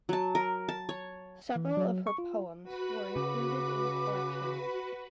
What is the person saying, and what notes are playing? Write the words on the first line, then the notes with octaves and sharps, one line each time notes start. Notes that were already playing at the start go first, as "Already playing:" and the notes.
Several of her poems were included in collections.
F#3 A5
A#4
A5
C#5
E3
F#3
C#6
F4
F#4 B4 B5
C#3 D6